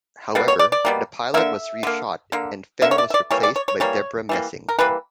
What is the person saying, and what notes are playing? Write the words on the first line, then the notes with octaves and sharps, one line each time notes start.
However, the pilot was reshot and Fenn was replaced by Debra Messing.
B2 G3 A#3 B4
C#5
D5
D5
B2 G3 A#3
D3 A#3 E5
D3 A#3
D3 A#3
D3 A#3 E5
C#5
D5
E5
D5
E3 G3 A#3 C#5
D5
C#5
C#5
E3 G3 A#3 C#5
E3 G3 A#3
A#4
E3 G3 A#3 B4